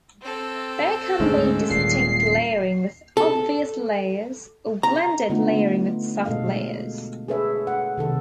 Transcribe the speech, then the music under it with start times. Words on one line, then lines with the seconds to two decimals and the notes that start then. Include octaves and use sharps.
There can be distinct layering with obvious layers, or blended layering with soft layers.
0.22 C4 A4
1.20 D2 G#2 G#3 C#4
1.70 D#1 A#2 C7
3.17 A4
4.83 A#5
5.30 D3 A3 B3 D#4 F4
6.25 B2 G#3 A4 D#5 F5
7.28 G#4 A4 B4 C#5 E5
7.67 F#5
7.98 C3 D#3 A4